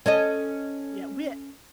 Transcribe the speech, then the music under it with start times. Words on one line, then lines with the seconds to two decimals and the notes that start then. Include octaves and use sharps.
Yeah. Wea
0.06 C#4 A4 D#5